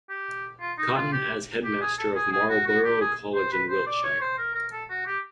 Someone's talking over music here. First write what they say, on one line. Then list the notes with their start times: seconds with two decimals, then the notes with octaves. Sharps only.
Cotton as Headmaster of Marlborough College in Wiltshire.
0.10 G4
0.61 F4
0.79 D#4
0.96 F4
1.13 G4
1.65 G4
1.81 G#4
1.99 A4
2.16 G#4
2.33 G#4
2.50 F#4
2.67 F#4
2.84 G4
3.01 G#4
3.35 C5
3.52 B4
3.70 C5
3.87 D5
4.04 C#5
4.21 C5
4.38 A#4
4.55 A#4
4.73 A4
4.90 F#4
5.07 G4